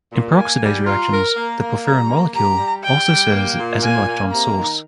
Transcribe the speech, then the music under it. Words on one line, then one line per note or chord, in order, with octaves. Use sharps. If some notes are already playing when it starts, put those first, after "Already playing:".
In peroxidase reactions, the porphyrin molecule also serves as an electron source.
A#2
A#3 G#5
G3
F4 A#5
A#4
A#3 A#5
A#3
G3 A#5
A#3
G4 A#5
G3
G3 G5
G3
A#3
A#2
A#3 G#5
A#3
C3 A#5
D#3